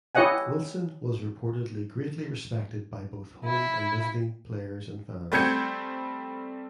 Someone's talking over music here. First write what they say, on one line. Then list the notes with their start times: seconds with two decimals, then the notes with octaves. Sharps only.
Wilson was reportedly greatly respected by both home and visiting players and fans.
0.15 E4 G4 C#5 D#5 F#5 G#5
3.44 E4
5.32 G3 A3 C4 G6 G#6 C#7